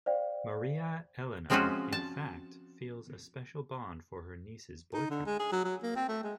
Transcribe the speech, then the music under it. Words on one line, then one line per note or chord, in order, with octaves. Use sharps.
Maria Elena in fact, feels a special bond for her niece's boyfriend.
C5 D5 F5 G5
F3 G#3 C4 C#4 F4 F#4
A5
D#4
D3
G#3
G#4
F#3
F#3
A#3
C4
A3
G#3